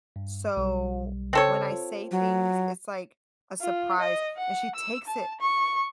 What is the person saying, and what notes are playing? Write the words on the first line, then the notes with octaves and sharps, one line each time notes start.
so when I say things it's like a surprise and she takes it
G2
B1 G3
C#3 C4 A4 C#5
F4
F#3
F4
D#5
F#5
E6
A5
C#6